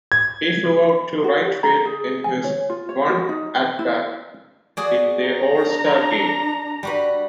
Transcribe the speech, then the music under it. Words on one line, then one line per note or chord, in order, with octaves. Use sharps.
He flew out to right field in his one at-bat in the All-Star game.
G#6
F#4
G4
A#5
G#4
G#5
C#5
F4
C#5
F#4
D#4
G5
E4
F#4 G#4 D5
A#5
D4
G3 F#4 B4